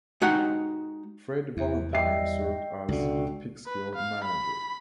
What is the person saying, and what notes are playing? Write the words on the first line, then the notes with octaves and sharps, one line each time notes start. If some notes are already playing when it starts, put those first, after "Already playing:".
Fred Valentine served as Peekskill manager.
G#3 D#4 F#4 G4 F#5
E2 E4
G3 D#5 E5 G5 C7
C#2 B2 D3 F#4
B4
F5
B5